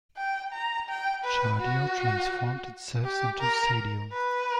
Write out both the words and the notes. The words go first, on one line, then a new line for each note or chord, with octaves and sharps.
Tchadio transformed itself into Sadio.
G5
A#5
G5
B4
F#4
G4
A#4
B4